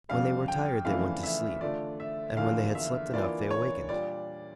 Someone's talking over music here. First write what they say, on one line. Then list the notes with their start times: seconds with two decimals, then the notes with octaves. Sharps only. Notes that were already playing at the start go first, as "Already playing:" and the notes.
When they were tired they went to sleep, and when they had slept enough they awakened.
0.09 F2 C#3 G3 F5
0.48 G5
0.85 F2 C#3 E3 A3 D4 F5
1.23 E5
1.61 D3 A3 D4 F4 D5
2.00 E5
2.37 E2 D3 F3 A#3 F5
2.75 E5
3.13 E3 A#3 D4 F4 D5
3.51 C#5
3.89 A#2 G3 D4 F4 D5